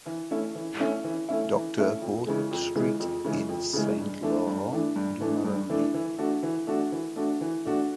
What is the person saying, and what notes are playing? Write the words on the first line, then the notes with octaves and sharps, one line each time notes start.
Docteur Horth Street in Saint-Laurent-du-Maroni.
E3
A3 C#4 E4
E3
A3 C#4 E4
E3
A3 C#4 E4
E3
A3 C#4 E4
F2
C#3 E3 G#3
F2
C#3 E3 G#3
F2
C#3 E3 G#3
F2
C#3 E3 G#3
G2
E3 A3 D4
G2
E3 A3 D4
G2
E3 A3 D4
G2
E3 A3 D4
E3
A3 D4 F#4
E3
A3 D4 F#4
E3
A3 D4 F#4
E3
A3 D4 F#4